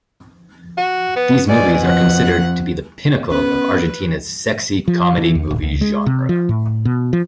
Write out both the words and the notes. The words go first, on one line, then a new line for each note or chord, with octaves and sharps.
These movies are considered to be the pinnacle of Argentina's sexy comedy movie genre.
F#4
B3
B2 D5 G#5
F2 F#5
B3 C#4 B4
F3
E3
D#2
D1
C#2
G#3
C3
F3
A2
B2
F3